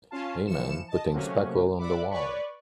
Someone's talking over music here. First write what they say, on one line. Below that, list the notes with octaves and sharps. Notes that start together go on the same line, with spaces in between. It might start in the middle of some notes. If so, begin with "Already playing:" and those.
A man putting spackle on the wall.
C#4 F4 F5 A5
E3 F3 C#7 E7
D#5 A5
C3 F#3 A3 A#3 C#4 F#4
D5 E5 F#5 B5 D6
B4 C#5 D5 B5 C#6